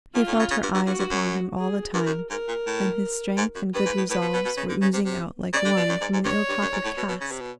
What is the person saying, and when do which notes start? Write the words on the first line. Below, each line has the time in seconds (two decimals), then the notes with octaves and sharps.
He felt her eyes upon him all the time, and his strength and good resolves were oozing out like wine from an ill-coppered cask.
0.15 A2 F4
0.27 A2
0.34 D3
0.39 C#3
0.51 C#3
0.63 G2
0.75 G2
0.86 G2 F#4
0.99 G2
1.10 F#2
1.58 G#4
1.94 G2 A#4
2.06 F#2
2.30 G#2 A#4
2.48 A#2
2.66 A2
3.37 G#2
3.55 F#2
3.74 G2 B4
3.86 G#2
3.97 A2
4.09 A2 B4
4.21 B2
4.34 B2
4.45 B2
4.57 C#3
4.69 D3
4.81 C#3
4.93 C3
5.05 C3
5.53 C#3 D5
5.65 D3
5.77 B2
5.89 F#2
6.01 G#2
6.13 G#2
6.24 G2 C#5
6.49 G2
6.61 F#2
6.72 G#2
6.84 A2
6.97 B2
7.09 B2
7.21 C#3
7.31 C3
7.41 B2